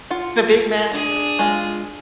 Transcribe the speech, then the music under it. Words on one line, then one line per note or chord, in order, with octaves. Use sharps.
The Big Mac?
F4 F#5
D4 G#4
G#3 F4